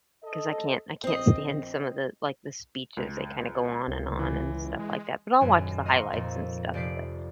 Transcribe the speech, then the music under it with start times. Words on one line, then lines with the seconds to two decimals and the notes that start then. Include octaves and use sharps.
'cause I can't I can't stand some of the, like, the speeches. They kinda go on and on and stuff like that. But I'll watch the highlights and stuff, but,
0.23 A4 D#5
1.04 A#1 C4 D#5
2.97 C#2
3.88 C#2
4.19 E3
4.79 G#3
5.41 D#1 F#2
5.86 D#5 F5 G5 A#5 C6 C#6
6.13 F2 A#2
6.74 F1 G4 D5 B6 C7 D7